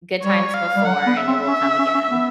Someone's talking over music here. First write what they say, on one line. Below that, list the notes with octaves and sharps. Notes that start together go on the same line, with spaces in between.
good times before, and it will come again.
G3 C#5
F5
G3
F#3 F#5
B3
E5
C4
C#4
C#4
C#4
C#4
B3